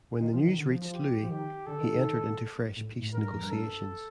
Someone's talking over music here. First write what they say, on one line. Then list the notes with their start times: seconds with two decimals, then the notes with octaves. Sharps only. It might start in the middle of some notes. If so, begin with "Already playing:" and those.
When the news reached Louis, he entered into fresh peace negotiations.
0.21 D#3
0.32 F3
0.44 D#3
0.58 D3
0.69 F3
0.81 F3
0.94 G4
1.22 F3
1.30 D#3 G4
1.67 D3 A4
1.79 D#3
1.91 D#3
2.76 A2
3.00 A2
3.13 A2 A#4
3.23 G2
3.31 F2
3.41 G2
3.50 A4